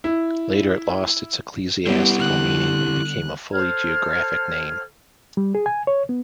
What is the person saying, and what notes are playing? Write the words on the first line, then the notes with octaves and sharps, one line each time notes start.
Later it lost its ecclesiastical meaning and became a fully geographic name.
E4
G3 B3 E4 G4
D3 F#6
A4 C5 F6 G#6
G3
G#4
G#5
C#5
B3